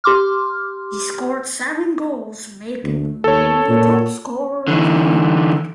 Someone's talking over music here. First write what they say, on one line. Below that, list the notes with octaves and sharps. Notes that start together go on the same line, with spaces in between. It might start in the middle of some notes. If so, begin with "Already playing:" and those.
He scored seven goals, making him the top-scorer of the league.
G4 C6 D6 F6
D2
D#2 A4 C#5
A#2
D3 E3